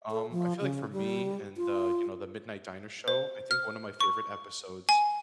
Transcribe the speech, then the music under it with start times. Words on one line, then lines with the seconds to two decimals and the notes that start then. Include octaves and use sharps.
um, I feel like for me and the, you know, the Midnight Diner show, I think one of my favorite episodes,
0.11 A4
0.31 F3
0.60 C#3
0.92 G3
1.57 F4
3.08 C5
3.51 F6
4.01 C#6
4.89 G#5